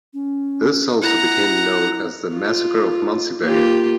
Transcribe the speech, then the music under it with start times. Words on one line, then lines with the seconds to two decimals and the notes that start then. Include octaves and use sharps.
This also became known as the Massacre of Monzievaird.
0.14 C#4
1.02 E4 F#5 A#5
2.33 F4
3.42 A#3 F4 G4